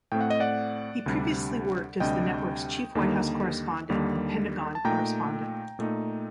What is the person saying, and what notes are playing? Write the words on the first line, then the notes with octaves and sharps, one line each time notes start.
He previously worked as the network's Chief White House Correspondent and Pentagon correspondent.
A2 A3 C4 G5
F#5
D#5
D5 F#5
D2 C3 G3 D4
D2 C3 G3 D4 D#5 G5
D#2 D3 G3 A#3 D#4
D#2 D3 G3 A#3 D#4
A5
A#2 A3 D#4 G5 A#5
A#2 A3 D#4